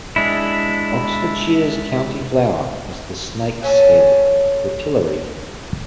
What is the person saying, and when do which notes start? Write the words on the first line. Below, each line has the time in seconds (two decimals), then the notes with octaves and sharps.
Oxfordshire's county flower is the snake's-head fritillary.
0.16 G#3 D4 E4
3.62 F#3 C#4 A4